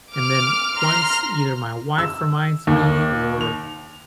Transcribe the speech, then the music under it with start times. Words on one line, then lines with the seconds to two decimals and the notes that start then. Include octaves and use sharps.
and then once either my wife reminds me or
0.12 D6 F6
0.73 A#5 C6 F6
1.98 E6
2.67 D#2
3.41 F7